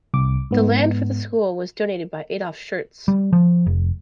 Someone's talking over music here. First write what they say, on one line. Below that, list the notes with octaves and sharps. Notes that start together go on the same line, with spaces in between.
The land for the school was donated by Adolph Schertz.
C2 D6
G#2 B3
G3
F3
F1